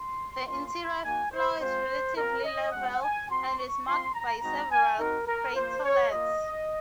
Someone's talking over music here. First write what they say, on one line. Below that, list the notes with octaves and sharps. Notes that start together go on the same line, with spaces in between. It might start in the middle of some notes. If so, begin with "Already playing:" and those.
The interior floor is relatively level, and is marked by several craterlets.
Already playing: C6
A#3 C#4 F4 C6
A#3 D#4 F#4 G#5
C5
G#3 C4 F4 C5
C4 F4 A#4
D#5
G#3 C#4 F#4 F#5
G#5
C4 F#4 C6
C#6
C4 F4 C6
A#5
G#3 C4 D#4 F#4 A#5
G#5
C4 D#4 F#4 A#4
A#4
A#3 F4 C5
C#5
A#3 F4 D#5